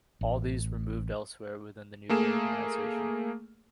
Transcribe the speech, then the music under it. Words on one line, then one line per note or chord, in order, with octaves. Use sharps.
All these were moved elsewhere within the new organisation.
A1
A3 A#3 G#4 E7